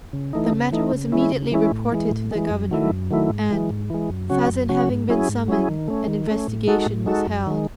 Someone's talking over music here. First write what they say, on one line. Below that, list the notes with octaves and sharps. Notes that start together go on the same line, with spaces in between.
The matter was immediately reported to the governor, and, Sazen having been summoned, an investigation was held.
C#3
E3 A3 D#4
C#3
E3 A3 D#4
C#3
E3 G#3 C#4 E4
C#3
E3 G#3 C#4 E4
A2
E3 G#3
A2
E3 G#3
F#2
D#3 F#3 A3 E4
F#2
D#3 F#3 A3 E4
G#2
E3 G#3
G#2
E3 G#3
F#2
C#3 F#3 C#4 F#4
F#2
C#3 F#3 C#4 F#4
G#2
F#3 C#4 E4 G#4
G#2
F#3 C#4 E4 G#4
D#3
A3 C#4
D#3
A3 C#4
A2
G#3 D#4 F#4 A4
A2
G#3 D#4 F#4 A4
F#2
D#3 G#3